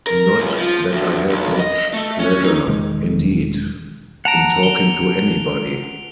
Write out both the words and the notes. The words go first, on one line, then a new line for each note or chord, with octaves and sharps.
Not that I have much pleasure, indeed, in talking to anybody.
A#4
C#2
F3
D2
B1
D#5
A3
C#4
D#4
E1 D#3 G#3
F#5 A5 A#5 D7 F7
G7